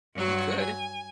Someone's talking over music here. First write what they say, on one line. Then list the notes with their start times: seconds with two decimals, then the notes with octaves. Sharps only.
You could.
0.14 G2 F#3 F#4
0.58 G#5